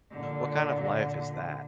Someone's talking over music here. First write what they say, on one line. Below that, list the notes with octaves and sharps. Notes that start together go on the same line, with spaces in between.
What kind of life is that?
A#2 D3